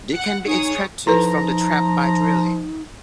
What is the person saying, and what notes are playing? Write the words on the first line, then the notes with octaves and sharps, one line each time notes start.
They can be extracted from the trap by drilling.
F#5
D#4 G#4 C#5 D#6
F3 D#4 E4 A4 B4 A#5